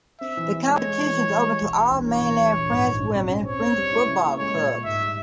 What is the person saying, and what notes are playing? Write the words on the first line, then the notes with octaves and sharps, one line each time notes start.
The competition is open to all Mainland France women French football clubs.
C4 E5
E3
E3
G#3 C#5
G#3
E3
G#3
G#3
G4
E1
E3
E1
E3 C#5
E2
G3
A#1
G#2
A#1
C#4
C3
C#4
C4 C#5
C4
G3
E4
C#3
A#3
G#3 C#5
A#2
G#3
G#2 E5
G3